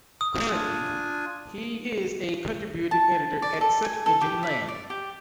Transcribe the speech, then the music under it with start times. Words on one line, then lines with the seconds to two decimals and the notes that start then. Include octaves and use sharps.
Currently, he is a contributing editor at Search Engine Land.
0.21 D#6
0.52 D4 F4 G#5
2.91 A5
3.42 D5
3.61 A4
3.84 G#5
4.06 A4
4.21 G4
4.43 E5
4.68 D5
4.90 G4